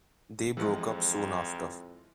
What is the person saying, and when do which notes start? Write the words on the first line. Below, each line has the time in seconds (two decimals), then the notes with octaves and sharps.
They broke up soon after.
0.57 F2 E3 F3 G#3